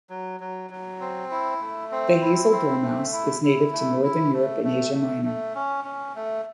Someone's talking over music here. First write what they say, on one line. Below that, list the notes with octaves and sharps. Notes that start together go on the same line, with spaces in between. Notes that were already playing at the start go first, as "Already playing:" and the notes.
The hazel dormouse is native to northern Europe and Asia Minor.
F#3
F#3
F#3
C4
E4
A3
C4
E4
C4
A3
E4
E4
A3
E4
A3
A3
A3
A3
C#4
C#4
A3